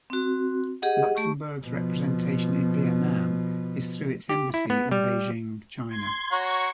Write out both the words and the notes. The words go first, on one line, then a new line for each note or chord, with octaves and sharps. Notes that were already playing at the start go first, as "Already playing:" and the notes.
Luxembourg's representation in Vietnam is through its embassy in Beijing, China.
C4 F#4
G4 G#4 D#5 F#5
A3 G4 C#6
B2 F3
G4
E4
B3
G3
C6 G#6
F#4 C#5 A#5 C#6